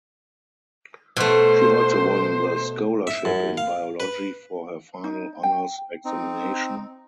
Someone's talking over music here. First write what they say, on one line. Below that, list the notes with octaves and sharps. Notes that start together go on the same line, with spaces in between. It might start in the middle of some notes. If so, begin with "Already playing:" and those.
She also won the scholarship in biology for her final honours examination.
B2 A3 C5
E5
F#2
F5
B4
D#4
G5
C4 D#4